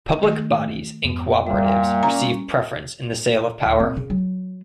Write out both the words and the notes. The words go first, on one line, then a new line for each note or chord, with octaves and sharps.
Public bodies and cooperatives receive preference in the sale of power.
D#3 A3 D#5
F2 G#2 B3
A#2 G3 E5
G3 C#4 A#5
D2
C4
C#3
F#3